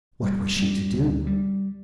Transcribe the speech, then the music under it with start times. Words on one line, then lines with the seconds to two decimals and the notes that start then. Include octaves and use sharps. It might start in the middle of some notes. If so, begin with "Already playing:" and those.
What was she to do?
0.22 G3
0.57 G3
0.92 D2
1.27 G3